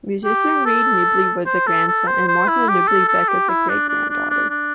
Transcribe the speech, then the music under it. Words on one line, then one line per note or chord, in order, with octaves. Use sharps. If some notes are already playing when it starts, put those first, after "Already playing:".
Musician Reid Nibley was a grandson, and Martha Nibley Beck is a great-granddaughter.
G4
A4
C5
A4
A4
C5
C5
E4
G4
A4
A4
G4
E4
D4
D4
D4
D4
D4